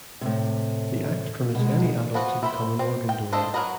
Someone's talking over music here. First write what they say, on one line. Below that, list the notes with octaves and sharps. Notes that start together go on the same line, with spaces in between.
The Act permits any adult to become an organ donor.
A2 C3
B2 G#3
F3 B3 F#4
E4 C5 B5
C4
G5
F3 D4 A4 C5 D#5
F#3 C4 A#4 B4 D#5